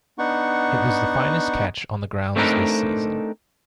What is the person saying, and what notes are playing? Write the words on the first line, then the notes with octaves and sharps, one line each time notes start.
It was the finest catch on the grounds this season.
B3 D4 D#4 F#5 C#6
A3 C4 D4 D#4 A#4 B4